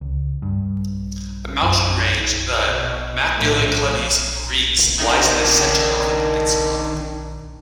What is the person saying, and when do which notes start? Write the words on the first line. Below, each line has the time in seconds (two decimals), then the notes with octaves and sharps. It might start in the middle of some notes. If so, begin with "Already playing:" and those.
A mountain range, the Macgillycuddy's Reeks, lies in the centre of the peninsula.
0.01 C#2
0.42 G2
1.62 F#2
2.66 B2
3.36 A2 F3
5.00 D#3 D4